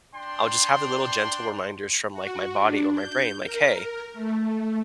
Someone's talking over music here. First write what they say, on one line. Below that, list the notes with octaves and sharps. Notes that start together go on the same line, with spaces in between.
I'll just have the little gentle reminders from, like, my body or my brain, like, "Hey,
D4 G5 C6
F#4
D4
G6
A#4
A3